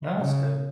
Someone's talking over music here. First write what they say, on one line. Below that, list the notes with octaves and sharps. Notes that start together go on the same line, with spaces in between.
That's good.
C#3